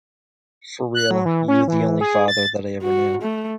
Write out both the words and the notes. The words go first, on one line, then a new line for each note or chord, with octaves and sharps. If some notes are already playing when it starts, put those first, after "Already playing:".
For real, you the only father that I ever knew.
F#6
F#3
E3
C#4
E3
G#4
A6
F#4
A3